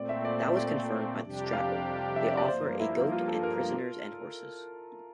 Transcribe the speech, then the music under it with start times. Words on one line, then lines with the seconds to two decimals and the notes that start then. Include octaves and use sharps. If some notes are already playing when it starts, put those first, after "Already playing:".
That was confirmed by Strabo: "They offer a goat and prisoners and horses".
Already playing: A#2 A3 C4 D5
0.09 E5
0.25 D5
0.41 E5
0.57 D5
1.21 F2 C3 G3 D4 G4
1.53 F5
2.16 E5
2.27 D5
2.37 D5
2.48 G2 F3 A#3 C5
2.80 E4
3.12 F4
3.28 A4
3.43 A#4